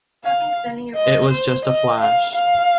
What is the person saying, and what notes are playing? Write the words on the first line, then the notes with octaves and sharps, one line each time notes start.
It was just a flash.
F5
D#5
C5
D#5
F5
F5